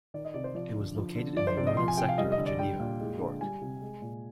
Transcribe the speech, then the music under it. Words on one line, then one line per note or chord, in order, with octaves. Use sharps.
It was located in the northern sector of Geneva, New York.
D#3 D5
D#5
C3 D5
C5
F3 D5
D3
F3
D3
F3 D5
C5
C3 D5
D#5
F3 C6
G#5
C3 G5
F5
G3 D#5
D#5
D3
D5
G3 G5
A#2
G#3
D3
G3 G#5
C3
G#3
A#2